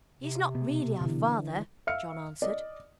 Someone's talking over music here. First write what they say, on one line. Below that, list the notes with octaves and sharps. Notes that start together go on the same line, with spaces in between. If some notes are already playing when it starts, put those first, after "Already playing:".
'He is not really our father,' John answered.
C3
B2 B3
D3 E3
E5 F5 F6 C#7
D5 D#5